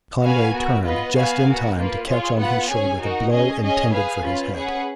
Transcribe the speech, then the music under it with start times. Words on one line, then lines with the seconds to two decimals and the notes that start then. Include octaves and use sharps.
Conway turned just in time to catch on his shoulder the blow intended for his head.
0.22 F#4 B4 F5 G#5
0.52 B3 F#4 A#4
0.83 B3 F4 B4 D#5
1.15 B3 F#4 B4 F5 G#5
1.46 B3 F#4 A#4
1.76 A#3 F4 B4
2.07 F4 G#4 C#5
2.38 B3 F4 B4 F#5
2.69 C#4 G#4 C#5 G#5
2.99 D#4 F#4 A#4
3.31 C#4 G#4 D#5 G#5
3.61 C#4 G#4 D#5 G#5
3.92 G#4 B4 F5 G#5
4.23 C#4 F4 B4
4.54 C#4 G#4 B4 F#5